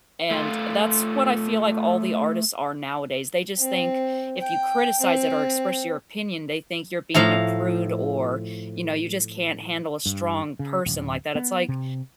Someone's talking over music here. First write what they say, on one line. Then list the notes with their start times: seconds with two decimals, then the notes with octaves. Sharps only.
and that's what I feel, like, all the artists are nowadays; they just think if you criticize it or express your opinion, they think you're being a prude or, you know, you just can't handle a strong person like that. It's like,
0.30 A3 F4
3.59 C4
4.38 G5
5.01 C4
7.14 A2 F3 F5 A#5
10.06 G2
10.59 C#3
10.86 D1
11.35 B3
11.69 C3